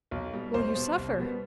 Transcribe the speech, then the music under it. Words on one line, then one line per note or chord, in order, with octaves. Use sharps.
"Will you suffer?"
B1
B2 G3
B1 C5
B2 G3
C2
B2 G3 B3